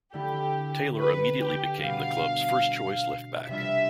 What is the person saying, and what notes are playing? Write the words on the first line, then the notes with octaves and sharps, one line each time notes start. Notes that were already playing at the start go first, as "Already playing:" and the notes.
Taylor immediately became the club's first-choice left-back.
D3 A3 E4 G4
B4
G4
B2 G3 D4 F5
C3 G3 D4 F4 E5